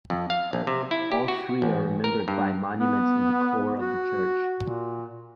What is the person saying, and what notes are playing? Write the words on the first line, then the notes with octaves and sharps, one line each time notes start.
All three are remembered by monuments in the core of the church.
F2
F5
A#1
C3
E4
G4
F#4
A1
A#4
G2
B3
F#4
A#2